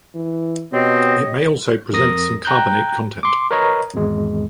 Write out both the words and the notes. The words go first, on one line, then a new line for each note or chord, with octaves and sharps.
It may also present some carbonate content.
E3
B2 C4 G4 C#5 D#5
F2 A#4 D#6 A#6
G5 A#5 F#6 G6
C6 D6
A#4 B4 C#5 D#5 A#5
G#1 E2 G#3